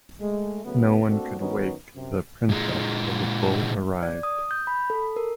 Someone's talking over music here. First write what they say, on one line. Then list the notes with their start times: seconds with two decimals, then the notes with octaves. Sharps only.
No one could wake the princess till the bull arrived.
0.21 G#3 A3
0.65 C#3 F#3 A3 B3
1.07 A3 A#3 C4 D4 F#4 A4
1.38 D#3 F#3 B3 C#4 D#4
1.95 F#2 C3
2.49 A#2 G#3
4.03 D5
4.23 D#6
4.51 G6
4.67 B5
4.90 A4
5.16 A#4